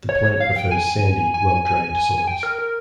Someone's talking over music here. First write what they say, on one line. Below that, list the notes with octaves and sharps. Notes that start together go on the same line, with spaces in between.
The plant prefers sandy, well-drained soils.
C#5
F5
G5
G#5
G#5
G#5
G#5
G5
A#4
A#4